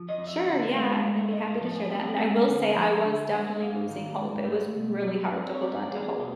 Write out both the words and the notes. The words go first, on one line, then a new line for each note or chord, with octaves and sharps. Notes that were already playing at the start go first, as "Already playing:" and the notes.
Sure, yeah. I I'd be happy to share that. And I will say I was definitely losing hope; it was really hard to hold on to hope.
Already playing: F3
D#5
F2
E5
D3 F#5
G#3 F5
G#3
E5
A2 D#5
F5
F3 A5
G#5
C4 G5
F#5
G#3 G#5
D3
F3
D3
G#3 F#5
G#2 F5
D#3
G#2
A3
B2
F#3 D5
C4
C#5
G3 D5
E2 G#4
B2 G4